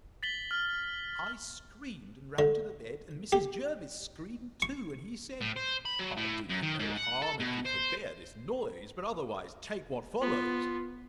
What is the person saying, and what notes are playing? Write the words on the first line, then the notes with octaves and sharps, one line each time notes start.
I screamed, and ran to the bed, and Mrs. Jervis screamed too; and he said, I'll do you no harm, if you forbear this noise; but otherwise take what follows.
A6 B6 F#7 G7
F6
D3
G4
C#6
A2
C5
B5
F#3
A2
F#2
D#3
G#2
F#5
A4
B2
C5
B3 F4